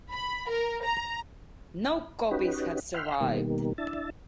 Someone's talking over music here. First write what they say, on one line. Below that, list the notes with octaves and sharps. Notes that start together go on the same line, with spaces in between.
No copies have survived.
B5
A#4
A#5
C#4 D#4 F#4 G4 B4
E5 F#5 G5 B5 C6 F6
B2 D#3 G3 A#3
D4 E4 E5 A5